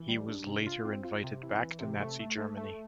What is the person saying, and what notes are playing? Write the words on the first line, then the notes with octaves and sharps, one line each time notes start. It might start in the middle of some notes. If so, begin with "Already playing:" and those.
He was later invited back to Nazi Germany.
Already playing: E3
G3
D4
C3
F4
C4
F4
C3
E3
E3
C3
A3
A3
A3
A3